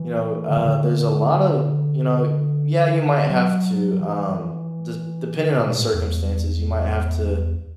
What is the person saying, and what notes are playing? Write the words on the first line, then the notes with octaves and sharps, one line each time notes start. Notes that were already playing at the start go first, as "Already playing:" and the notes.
you know, uh, there's a lot of, you know yeah, you might have to, um, des depending on the circumstances, you might have to
Already playing: E3
D3
E3
D3
F#3
E3
D3
B2
A2
E2